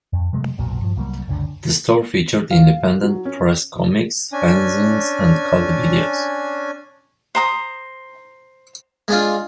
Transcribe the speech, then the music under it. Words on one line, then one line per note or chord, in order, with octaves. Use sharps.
The store featured independent press comics, fanzines and cult videos.
F2
C3 F#3 G#3 A3
F#1 B1 A#2 F#3
G2 F3
C2 F#3 G3 A#3
F#1 C#2 D3
F5
F#3
C#4
C#4 D4 G#5
C5 A#5 D#6
G#3 D4 F4